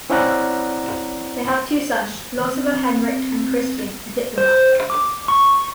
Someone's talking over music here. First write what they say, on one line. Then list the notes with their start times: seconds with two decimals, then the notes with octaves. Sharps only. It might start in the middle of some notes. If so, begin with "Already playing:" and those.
They have two sons, philosopher Henrik and Christian, a diplomat.
0.10 C4 C#4 E4 D5 F#5 A#5
2.52 C4
4.38 C5
4.90 D6
5.28 C#6